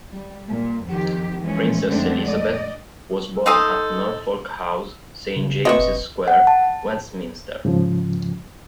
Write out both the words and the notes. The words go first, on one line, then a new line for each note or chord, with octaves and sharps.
Princess Elizabeth was born at Norfolk House, Saint James's Square, Westminster.
G3
A#2
F2 D#3 G4
E3 F3 G#3 A3 C#4
F2 D3 G#3 A3 C4 D4
D5 D#5
D#4 A4 C6 D#6
C#3
C4 B4 D#5 E5 C#6
F1
F#5
A5
G#2 C#3 F3